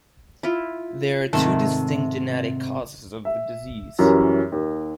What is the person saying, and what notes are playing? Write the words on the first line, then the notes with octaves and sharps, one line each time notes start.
There are two distinct genetic causes of the disease.
E4 F4
G#2 C3 D#3 A3 C4 A4
E5
F#2 E3 G3 C#4 A#4
D#2